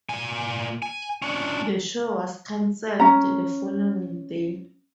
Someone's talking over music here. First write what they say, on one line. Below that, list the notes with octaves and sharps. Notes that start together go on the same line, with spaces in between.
The show was canceled the following day.
A#2 G#5
G#5
C#4 D4
C#4 A#5